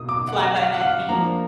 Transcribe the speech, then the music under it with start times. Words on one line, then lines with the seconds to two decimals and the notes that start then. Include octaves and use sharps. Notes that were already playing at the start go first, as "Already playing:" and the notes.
fly-by-night meme,
Already playing: B2 A#3 D#4 D#6
0.09 D6
0.28 F#5
0.56 F5
0.74 F#5
0.81 F5
1.08 F3 A#3 D4 A#5